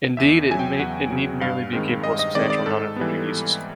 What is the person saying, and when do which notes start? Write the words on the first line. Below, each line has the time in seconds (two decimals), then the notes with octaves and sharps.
Indeed, it need merely be capable of substantial noninfringing uses.
0.17 E2 E5
0.49 C#3 F#3 G#5
0.59 G5
0.79 E2 F#5
1.10 C#3 F#3
1.41 G2 F5
1.73 D#3 G#3 C4
2.04 G2 D#5
2.19 D#5
2.35 D#3 G#3 C4 D5
2.50 D5
2.66 G#2 A4
2.96 E3 G3 B3